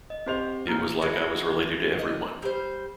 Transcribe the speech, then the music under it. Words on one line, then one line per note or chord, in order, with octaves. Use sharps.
It was like I was related to everyone.
D#5
C4 G4 C5 F7
A#2 A#3 A#5 F6
G#3 E4 F#4 D#5
D#5
G3 C5